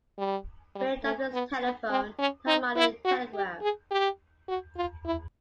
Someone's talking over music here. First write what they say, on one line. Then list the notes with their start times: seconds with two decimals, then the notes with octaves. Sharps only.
Gray dubbed his telephone "the harmonic telegraph".
0.18 G3
0.75 G3
1.03 A3
1.33 B3
1.61 B3
1.90 C4
2.19 C#4
2.47 D#4
2.76 E4
3.05 F#4
3.33 G4
3.62 G#4
3.91 G4
4.48 F#4
4.76 F4
5.05 E4